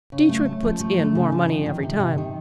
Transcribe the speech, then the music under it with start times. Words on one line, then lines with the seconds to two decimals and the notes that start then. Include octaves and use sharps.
Dietrich puts in more money every time.
0.12 C#3
0.29 A3
0.45 A3
0.63 F3
0.80 A3
0.97 A3
1.15 C#3
1.32 F3
1.49 D#3
1.66 D#3
1.83 C3
2.00 C3
2.18 D#3